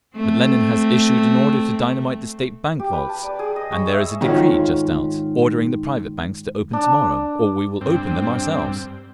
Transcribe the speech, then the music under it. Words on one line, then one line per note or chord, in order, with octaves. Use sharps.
"But Lenin has issued an order to dynamite the State Bank vaults, and there is a Decree just out, ordering the private banks to open to-morrow, or we will open them ourselves!"
A3 C4
G4
B4
A5
D5
G#4
D#5
C#5
E5
G#2 D#3 C#4 F4 F#4
D4
G2 C4